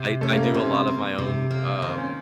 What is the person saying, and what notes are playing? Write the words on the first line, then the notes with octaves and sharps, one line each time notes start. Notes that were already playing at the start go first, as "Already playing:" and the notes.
I I do a lot of my own, um,
Already playing: C3
A3 C#4
A#3
B3
C3 C4
A#3
C3
A#3
D#3 C4
C#4